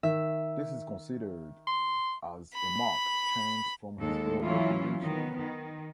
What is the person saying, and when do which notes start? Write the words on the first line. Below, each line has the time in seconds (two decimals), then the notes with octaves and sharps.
This is considered as a marked change from his earlier convictions.
0.03 D#3 E5
1.67 C6
2.54 B5
4.00 D#2 G#3 A4
4.41 E3 F#3 C#4 E4 F4
5.04 D#3 B3
5.38 D#3